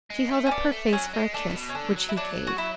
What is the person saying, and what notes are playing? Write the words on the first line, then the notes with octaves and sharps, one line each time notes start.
She held up her face for a kiss, which he gave.
G#3
A3
C#4
B3 D4
A3
F#3 C#4
G#3
A3 D4
C#3
B2
C#4
D3 D4
F#3
E4
F#3 D4
F#4
E4